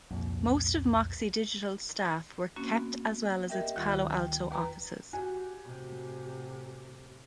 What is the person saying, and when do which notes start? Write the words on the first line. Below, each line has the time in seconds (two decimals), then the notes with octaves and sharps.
Most of Moxi Digital's staff were kept as well as its Palo Alto offices.
0.11 C2 F2 A#2
2.56 A#3 C4 C#4 F#4
2.76 B3
3.49 G4 A#4 D#5 E5 G5
3.76 D2 D#3 G3 F4 F#6
4.12 G5
4.51 D#2 B4 A#5
5.13 F#4 G4 G#5
5.64 A2 C3